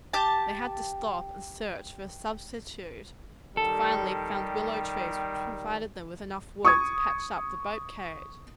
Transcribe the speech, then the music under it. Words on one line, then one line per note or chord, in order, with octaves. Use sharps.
They had to stop and search for a substitute, and finally found willow trees, which provided them with enough wood to patch up the boat-carriage.
G4 A5
D#3 G3 A4
C#6 D#6 G#6